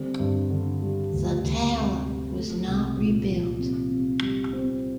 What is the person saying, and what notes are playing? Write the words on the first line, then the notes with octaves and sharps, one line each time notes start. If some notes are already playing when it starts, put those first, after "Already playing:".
The tower was not rebuilt.
Already playing: D3 G3 C4
G2
D3
G3
D2
D2
C3
G3
A3
C2
A#2
F3
C3
C3
G3
C4